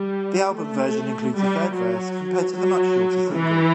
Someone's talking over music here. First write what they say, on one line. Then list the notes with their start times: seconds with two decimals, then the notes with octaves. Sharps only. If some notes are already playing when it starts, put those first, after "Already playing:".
The album version includes a third verse compared to the much shorter single.
Already playing: G3
0.57 A3
1.36 G3
1.75 F#3
2.53 F#3
3.32 E3